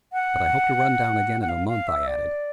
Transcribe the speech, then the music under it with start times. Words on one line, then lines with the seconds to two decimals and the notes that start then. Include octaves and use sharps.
"But I hope to run down again in a month," I added.
0.13 F#5
1.42 F#5
1.49 F5
1.68 F5
1.88 E5
2.07 D5